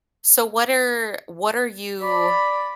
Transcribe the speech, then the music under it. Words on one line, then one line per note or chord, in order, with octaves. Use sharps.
So, what are what are you
D5 B5